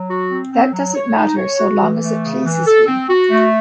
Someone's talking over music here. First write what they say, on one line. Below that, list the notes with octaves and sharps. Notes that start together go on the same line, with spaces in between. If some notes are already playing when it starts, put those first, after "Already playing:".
That doesn’t matter, so long as it pleases me.
Already playing: F#3
F#4
C4
C4
F#3
C#5
D#4
C#5
F#4
E3
A3
C#3
E3
A4
C4
F#4
A3